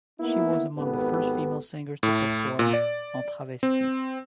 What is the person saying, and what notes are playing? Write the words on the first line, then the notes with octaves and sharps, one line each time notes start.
She was among the first female singers to perform "en travesti".
A#3 B3 D#4 E4
G#1 B3 G4 A4 B4
A2
A#2
D5
C4